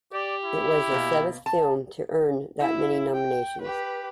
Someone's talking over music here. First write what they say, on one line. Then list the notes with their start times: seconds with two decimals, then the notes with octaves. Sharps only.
It was the seventh film to earn that many nominations.
0.13 G4 D5
0.45 E4
0.92 B2 A#3
1.46 A5
2.59 E4
3.14 G5
3.62 G4 B4